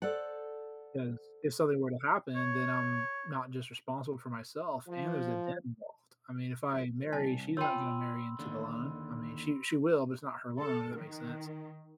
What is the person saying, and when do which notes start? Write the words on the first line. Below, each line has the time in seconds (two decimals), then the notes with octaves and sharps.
'Cause if something were to happen, then I'm not just responsible for myself and there's a debt involved. I mean, if I marry, she's not gonna marry into the loan, I mean, she she will, but it's not her loan, if that makes sense.
0.02 A4 C5 D5 F#5
2.36 C#5
4.87 F3
7.12 C2 D#5 G#5 A5
7.57 F4 C#5 G5 G#5 B5 C6 E6
8.39 D#2 D3
10.57 A4
10.95 D#3